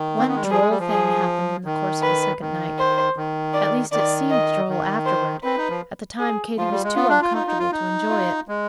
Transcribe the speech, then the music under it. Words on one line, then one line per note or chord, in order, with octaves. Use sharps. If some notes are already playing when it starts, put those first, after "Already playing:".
One droll thing happened in the course of the second night,--at least it seemed droll afterward; at the time Katy was too uncomfortable to enjoy it.
Already playing: D#3
C4
B3
G#3
G3
F3 G#4
G#3
G3
F3
G#4
D#3
B4
D#3
C5
D#3
D5
D#3 D5
D#5
D#3
C5
C4 B4
D#4
F3
G#4
F3 F4
G3
G#3
B3 F4
D4
F4
D#4 F4
D#4
F4
D#4
F4
G#3